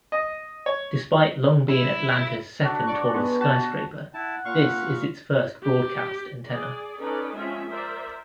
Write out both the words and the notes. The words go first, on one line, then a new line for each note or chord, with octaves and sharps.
Despite long being Atlanta's second-tallest skyscraper, this is its first broadcast antenna.
D#5
C#5
E4
D4 F#4 A4
D5 C#6
G#3 B3
F#4 A5
E4 F#5 A5
A#2 F5 C#6
G4
G#4 D5
C#4 D#4 A4 B4 D5
F3 G#3 C4 C#4 F4 E5
A#4 C5 D5 E5